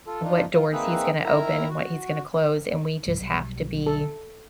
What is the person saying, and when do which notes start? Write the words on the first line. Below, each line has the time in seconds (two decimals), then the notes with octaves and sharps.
what doors he's gonna open and what he's gonna close, and we just have to be
0.07 F4 A4
0.23 D4 D#4 F4
0.53 F4
0.73 A#3 C4 D#4 G#4 B4 E5
1.25 D#3 E4 A#4 E5 A#5
1.70 F#4
3.06 G1 C2 G2
3.21 B1 F#3 G3
3.87 A4